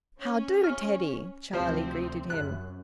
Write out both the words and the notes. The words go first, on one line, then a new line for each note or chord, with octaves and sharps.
"How do, Teddy?" Charlie greeted him.
C#4
F6
D2 C3 F3 C4 C5
F#2 F#6